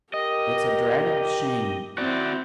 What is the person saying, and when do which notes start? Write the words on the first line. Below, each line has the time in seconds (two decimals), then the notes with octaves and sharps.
It's a dratted shame!
0.14 G4 A#4 D#5
1.98 C4 E4 F#4 D5